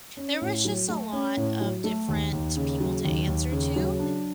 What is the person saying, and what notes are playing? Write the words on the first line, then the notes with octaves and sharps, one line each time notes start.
There was just a lot of different people to answer to.
C#4
A2
F#3
A3
C#4
A2
F#3
A3
D#2
D#2
C#3
F#3
D#2
D#2
C#3
F#3
D4